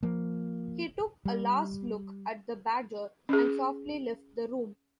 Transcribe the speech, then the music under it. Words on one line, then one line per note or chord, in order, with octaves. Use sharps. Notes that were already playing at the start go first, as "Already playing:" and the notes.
He took a last look at the badger and softly left the room.
F3 A#3
G3
C#4 G#4